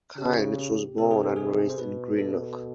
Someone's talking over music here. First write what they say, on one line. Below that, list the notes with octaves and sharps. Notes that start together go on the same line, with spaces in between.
Cairns was born and raised in Greenock.
C#3 G4
C3 A4
G#4
G4
C3 G#4
C5
B2 B4
A4